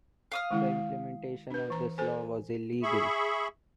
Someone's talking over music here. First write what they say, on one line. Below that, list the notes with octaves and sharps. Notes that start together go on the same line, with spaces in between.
The implementation of this law was illegal.
F5 D#6 F6
D#3 G#3 E4
D4 B4
E3 A#5
A4 C5 G#5
G#4 E5 B5 C#6